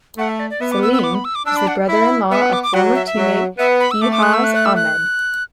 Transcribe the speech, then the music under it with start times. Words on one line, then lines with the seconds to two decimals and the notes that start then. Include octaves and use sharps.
Saleem is the brother-in-law of former teammate Ijaz Ahmed.
0.18 A3 F#5
0.29 E5
0.40 D5
0.50 D5
0.61 B3 E5
0.72 D6
0.82 E6
0.93 E6
0.99 B5
1.04 D6
1.15 B5
1.25 E6
1.35 D6
1.46 D4 E6
1.57 B5
1.67 F#5
1.89 E4
2.31 B3 E5
2.42 F#5
2.53 D6
2.63 D6
2.74 F#3 F#5
2.95 E5
3.06 E5
3.16 F#3
3.59 B3 E5
3.80 B5
3.91 E6
4.02 A3 D6
4.12 D6
4.23 F#6
4.34 E6
4.44 F#6
4.55 F#6
4.65 E6
4.76 F#6